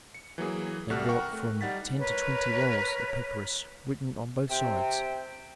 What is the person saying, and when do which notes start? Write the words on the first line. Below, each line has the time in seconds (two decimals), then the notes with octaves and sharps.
They brought from ten to twenty rolls of papyrus written on both sides.
0.14 C#7
0.38 E3 F#3 A#3 G#4
0.90 C2 G3 F#4 A4 F6 F#6
1.09 A#4 F#5 G5 C#6
1.33 A3
1.61 G3 D#4 F#5 A6 B6
1.98 A#4 B4 C#5
4.49 C3 E5 G5